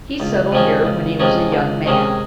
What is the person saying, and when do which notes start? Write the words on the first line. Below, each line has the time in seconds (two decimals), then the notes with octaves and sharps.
He settled here when he was a young man.
0.20 C#2
0.52 C3 F3 G#3 C#4
0.85 C#2
1.20 C3 F3 G#3 C#4
1.52 C#2
1.86 C3 D#3 G#3 C#4